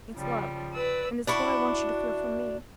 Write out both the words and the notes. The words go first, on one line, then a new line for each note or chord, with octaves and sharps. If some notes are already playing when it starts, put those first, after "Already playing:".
It's love, and it's what I want you to feel for me.
C#3 F3 G3
B4 D5 E6
D4 E4 F#4